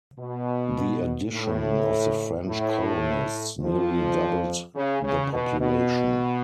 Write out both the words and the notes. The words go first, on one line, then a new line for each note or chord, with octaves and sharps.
The addition of the French colonists nearly doubled the population.
B2
A2
A2
F2 F3
C#3
C#3
B2
B2